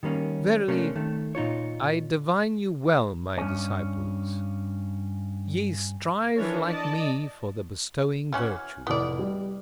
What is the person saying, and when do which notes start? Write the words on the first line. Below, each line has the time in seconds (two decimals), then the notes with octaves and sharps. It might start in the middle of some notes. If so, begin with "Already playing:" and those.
Verily, I divine you well, my disciples: ye strive like me for the bestowing virtue.
0.03 D#3 G3 A#3 C#4
0.68 C3 A3 A#3 C#4 D4
0.95 D#3 A3
1.35 A#2 D#4 F4 C#5
3.37 G2 C#4
6.35 E3 D4 A4 A#4 C#5
6.67 D5 D#5 A5
8.33 E3 C#4 F#4 G#5 F6
8.87 F1 A2 B3 D5
9.19 G3